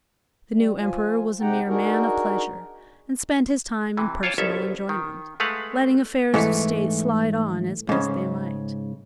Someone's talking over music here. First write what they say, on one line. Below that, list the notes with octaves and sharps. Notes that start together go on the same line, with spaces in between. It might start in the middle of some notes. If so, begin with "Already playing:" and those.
The new emperor was a mere man of pleasure, and spent his time in personal enjoyment, letting affairs of state slide on as best they might.
G3
F3 F4 G#5
C3 D#4 G4 F#5 G5 A#5
D4 D#4 F#4 G#4 A#4
C3 E3
F4 C#5 F5 G5 A5
G1 C2 C#4 A4 E5
D#3
G#3 A3 B4 F5 F#5
G#2 E3 A3
G#2 C#3